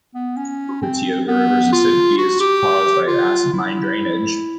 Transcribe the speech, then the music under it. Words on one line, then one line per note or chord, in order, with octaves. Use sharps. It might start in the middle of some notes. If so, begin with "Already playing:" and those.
The Tioga River's acidity is caused by acid mine drainage.
B3
C#4
C4
B3
F4
F#4
G4
F4
E4